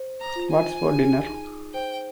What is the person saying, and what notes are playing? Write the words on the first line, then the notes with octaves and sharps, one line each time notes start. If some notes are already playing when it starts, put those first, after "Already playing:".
What's for Dinner?
Already playing: C5
A#5
F4
G#5
G#4
D#4
C5 G5